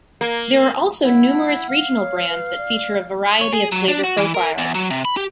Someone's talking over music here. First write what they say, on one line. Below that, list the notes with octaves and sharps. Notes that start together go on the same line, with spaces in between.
There are also numerous regional brands that feature a variety of flavor profiles.
A#3
E4 F#5
F5
C#5
B4
D5
C#5
G#4
F#3
D4
F#4
E3
A#4
E2
F#3
C3
B5
G4